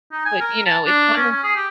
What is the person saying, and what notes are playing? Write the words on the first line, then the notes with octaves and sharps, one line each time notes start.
But, you know, it's one of
D#4
G#5
A#4
A5
D4
C#4
C#4
G#4
G4